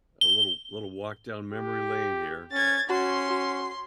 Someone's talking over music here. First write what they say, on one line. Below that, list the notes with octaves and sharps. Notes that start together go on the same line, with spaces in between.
a little little walk down memory lane here.
G7
G4
C#4 G#6 A6
C#4 F#4 C6
F#4